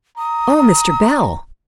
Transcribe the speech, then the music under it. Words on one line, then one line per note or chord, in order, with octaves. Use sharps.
'Oh, Mr. Bell!
A#5 D#6